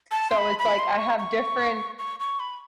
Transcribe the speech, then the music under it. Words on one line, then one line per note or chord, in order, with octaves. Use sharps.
So, it's like, I have different
A5
C6
B5
B5
C6
C#6
C#6
C#6
C#6
B5